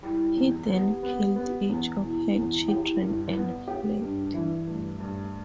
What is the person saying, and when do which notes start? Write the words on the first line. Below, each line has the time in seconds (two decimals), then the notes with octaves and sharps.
He then killed each of her children and fled.
0.03 G3 E4
0.36 E2
0.69 B3 G4
1.03 B3
1.36 B3
1.69 E2
2.02 B2 E4
2.35 E2
2.68 G4
3.02 G2
3.35 B3
3.68 G4
4.01 G2 D4
4.34 E3
4.67 G2 A3
5.00 G2